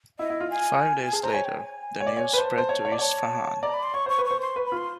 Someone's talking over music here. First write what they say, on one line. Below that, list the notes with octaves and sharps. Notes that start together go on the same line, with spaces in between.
Five days later, the news spread to Isfahan.
E4 D#5
E4
F4
G#5
G#5
G#4 A5
C5 A#5
C#5 G#5
G5
G#5
C#5
D5
C#5
B4
C5 A5
C5
C#5
C#5
D5
C#5 A5
D5 A#5
B5
C6
C#5 C#6
C5 C#6
B4
C#6
C5
C6
B4
B5
F4
C6